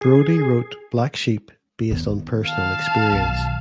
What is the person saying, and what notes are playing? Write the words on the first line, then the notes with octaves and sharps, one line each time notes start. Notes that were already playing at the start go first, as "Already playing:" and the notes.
Brody wrote "Black Sheep" based on personal experience.
G#4
D#3 B3
F5 A5
B1 D#3